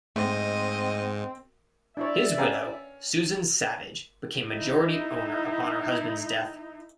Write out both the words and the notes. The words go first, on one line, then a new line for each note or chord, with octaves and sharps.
His widow, Susan Savage, became majority owner upon her husband's death.
G#2 A3 C4 D#5
D4 E4 C#5 D5 E5
C#4 B4 F5 G5 A#5
D#4 E4